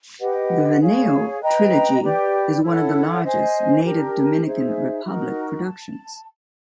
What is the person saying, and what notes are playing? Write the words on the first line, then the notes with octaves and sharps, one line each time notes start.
The Veneno trilogy is one of the largest native Dominican Republic productions.
G4 B4 D#5 F#5
G#4 C#5 F5
B4 D#5 G5 A#5
G4 B4 D5
E4 A4 C#5 F#5
C5 D#5 G#5
D4 G4 A#4
D#4 G#4 C5 E5
D#4 F#4 A#4
A5